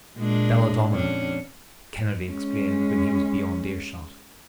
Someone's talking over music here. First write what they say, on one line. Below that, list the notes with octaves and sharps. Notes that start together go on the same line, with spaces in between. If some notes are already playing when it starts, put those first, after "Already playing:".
"Belladonna," Kennedy explained when he was beyond earshot.
A#2 G#3 D4
F2 C#4 D4
G#3 C#4